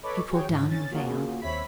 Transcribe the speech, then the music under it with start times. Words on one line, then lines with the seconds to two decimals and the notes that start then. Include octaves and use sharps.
She pulled down her veil.
0.03 A4 B4 C#5 D#5 B5 D6
0.30 F#4 G#4 C#5 G5
0.49 G#2
0.69 C#4 A6
0.91 A#3 C#4 F4 F#4 G#4
1.41 D#2 C4 C#5 E5 B5 B6